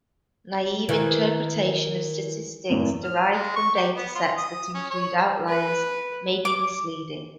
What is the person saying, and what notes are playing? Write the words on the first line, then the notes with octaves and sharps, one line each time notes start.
Naive interpretation of statistics derived from data sets that include outliers may be misleading.
D#3 E3
F#1 E2 A2
F6
G#3
C#6
G4
B3
F4
D#6
C#4
C#5
B4
D6